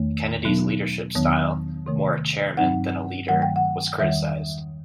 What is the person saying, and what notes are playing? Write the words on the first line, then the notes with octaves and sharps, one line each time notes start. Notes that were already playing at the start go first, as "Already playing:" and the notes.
Kennedy's leadership style - more a chairman than a leader - was criticised.
Already playing: E2 D#3 A3
B2 F#3 B3 D#4
E2 D#3 F#3 B3
C3 D#3 A3
G2 F#3 C4 D#4 F#5
G2 D#3 F#3 A3 F#5
G5
F#5
E2 D#3 G3 E5